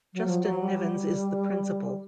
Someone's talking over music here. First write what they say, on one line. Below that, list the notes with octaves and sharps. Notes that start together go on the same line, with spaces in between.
Justin Nivens is the Principal.
F#3
F3
F#3
G3